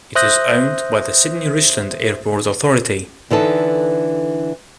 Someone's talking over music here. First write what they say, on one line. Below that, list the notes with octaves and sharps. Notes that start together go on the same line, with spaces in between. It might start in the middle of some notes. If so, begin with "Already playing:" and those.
It is owned by the Sidney Richland Airport Authority.
C5 E5 D#6 F#6 G6 A#6
D3 E3 D#4 A4